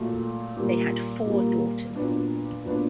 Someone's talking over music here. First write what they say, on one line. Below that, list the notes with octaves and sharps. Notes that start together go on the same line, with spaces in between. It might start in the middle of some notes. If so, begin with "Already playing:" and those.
They had four daughters.
Already playing: A#2 F#3 A3
A#2 G3 A#3
A#2 G3 A#3
A#2 F#3 B3 D4
A#2 F#3 B3 D4